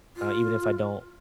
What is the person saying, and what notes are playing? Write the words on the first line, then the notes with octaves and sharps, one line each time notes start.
uh, even if I don't,
F4